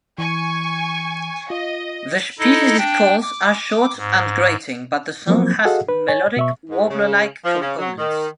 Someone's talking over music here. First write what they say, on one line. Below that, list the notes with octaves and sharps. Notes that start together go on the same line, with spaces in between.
The species' calls are short and grating, but the song has melodic warbler-like components.
E3 G#5 C#6
F4 D#5
D#4 E4 A4 D#5
D4 G5
D6
G#2
F3 F#3 A#3 C4
F#4 G#4 A4 D#5 F5 F#5
B4
C#5 G#5 A6
B2 E5 C#6
G#2
C#3
F3
C#3
F#3
D#3